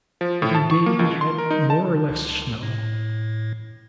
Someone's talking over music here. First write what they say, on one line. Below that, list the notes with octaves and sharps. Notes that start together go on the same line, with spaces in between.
Every day we had more or less snow.
F3
A2
A5
C#6
A#3
C#2
C6
A#4
D#4
A5
C#2
A2